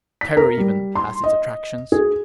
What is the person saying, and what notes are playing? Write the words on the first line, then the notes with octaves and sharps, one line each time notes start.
Terror even has its attractions.
B6
A#4
G3
C6
D#5
G#4